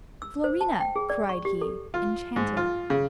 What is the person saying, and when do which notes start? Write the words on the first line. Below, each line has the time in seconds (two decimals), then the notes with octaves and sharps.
"Florina!" cried he, enchanted.
0.22 E6
0.44 C5
0.61 A5
0.80 G5
0.96 G#4
1.10 D5
1.29 C#6
1.45 G4
1.61 A4
1.94 F4
2.36 G#2
2.57 F4
2.90 C#3